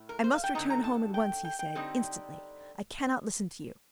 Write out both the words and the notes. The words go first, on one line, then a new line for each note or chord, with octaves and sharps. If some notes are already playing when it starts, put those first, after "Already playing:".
"I must return home at once," he said, "instantly; I can not listen to you."
Already playing: A2 A3
A#4
C5
F5
G5
D3 A3 C4 D#4 A#5
A#5
A5
G5
G5
G5
D3 G3 C4 D#4